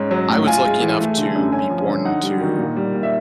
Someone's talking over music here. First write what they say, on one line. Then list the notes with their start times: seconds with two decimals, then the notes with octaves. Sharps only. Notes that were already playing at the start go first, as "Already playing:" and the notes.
I was lucky enough to be born to
Already playing: G#2 C#4
0.11 F#3
0.29 A2
0.47 F4 G#5
0.65 G#3
0.81 E3
1.00 A3
1.18 D3
1.35 F#2
1.52 C#4 G#5
1.70 F3
1.87 D3
2.05 D#4 F#5
2.23 G3
2.41 D#3
2.58 A#2
2.76 G3
2.94 A#2
3.03 E5